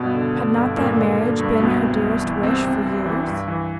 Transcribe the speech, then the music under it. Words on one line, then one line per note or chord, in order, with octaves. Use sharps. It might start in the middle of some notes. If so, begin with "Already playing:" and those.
Had not that marriage been her dearest wish for years?
Already playing: G2 B2 B3
D3
D3
G2
G2 A#2 A#3
D3
D3
G2
C2 B2 B3
C3
C2
E3
C2 C3 C4
C3
C2
E3
G2
E3